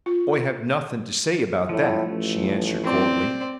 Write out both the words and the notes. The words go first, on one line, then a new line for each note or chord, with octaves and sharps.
"Oi have nothin' to say about that," she answered coldly.
F4
A2 F3 A3
A1
C4 D5